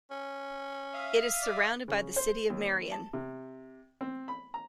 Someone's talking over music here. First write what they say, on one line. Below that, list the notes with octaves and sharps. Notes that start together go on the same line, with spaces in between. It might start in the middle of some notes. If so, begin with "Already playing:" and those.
It is surrounded by the city of Marion.
C#4
E5 F5 D#6
D5
C#3
C5
D#2
A5
C3
C4
B5
A#5